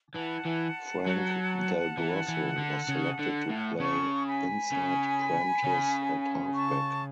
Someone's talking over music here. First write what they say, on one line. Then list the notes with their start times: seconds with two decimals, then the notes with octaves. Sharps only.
Frank Delgrosso was selected to play inside Prentice at halfback.
0.15 E3 F#5 A5
0.45 E3
1.06 F#3
1.97 E3
2.28 E3
2.58 D3
2.89 C#3
3.19 D3
3.49 A2
3.80 C#3 A5 C#6
4.26 G#5 B5
4.72 C#3
5.64 C#3
6.54 A5 C#6